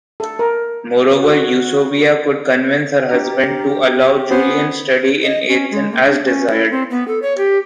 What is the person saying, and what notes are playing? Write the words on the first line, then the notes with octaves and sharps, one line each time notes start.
Moreover Eusebia could convince her husband, to allow Julian study in Athen as desired.
A4
A#4
F#4
D4 G4 A#5 F6
B3 C#4 F4 C5 G#5
D#5
C#4
G#3
A#3
D4
C#4
E4
C4
B3
A4
C#5
G4